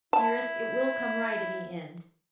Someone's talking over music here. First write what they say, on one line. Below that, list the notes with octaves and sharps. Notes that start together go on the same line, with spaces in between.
Dearest, it will come right in the end.
E4 A5